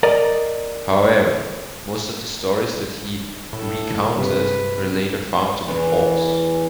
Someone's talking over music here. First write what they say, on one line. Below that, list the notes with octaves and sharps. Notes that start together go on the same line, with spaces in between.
However, most of the stories that he "recounted" were later found to be false.
A#4 D5 D#5
A2 A4
G2 C3 B4
E2 E3